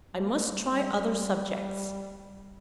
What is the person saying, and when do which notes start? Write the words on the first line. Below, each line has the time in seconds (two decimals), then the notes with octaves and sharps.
"I must try other subjects."
0.14 G3
0.24 A#3
0.34 G3
0.44 A#3
0.54 G3
0.63 A#3
0.74 G3
0.93 G3